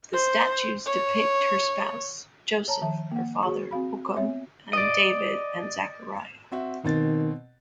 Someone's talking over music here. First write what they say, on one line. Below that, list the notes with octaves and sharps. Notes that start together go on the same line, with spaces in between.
The statues depict her spouse Joseph, her father Joachim, and David and Zachariah.
C5
C#5
C#5 A5 A#5
D#3 F3 E5 A5
A#3 F#5
F#4 G#4 C#5 C#6
C4 F#4 F5 B5
B3 C4 C#5 E5
D5 D#5
C4 F#4 E5
B2 D#3 C4 A6